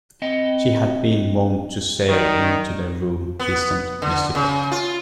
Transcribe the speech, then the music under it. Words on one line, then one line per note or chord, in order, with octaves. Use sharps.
She had been wont to sail into the room, distant, mystical.
C4 D#5
F#2 D#3 D5
B3
D3
C#3
F4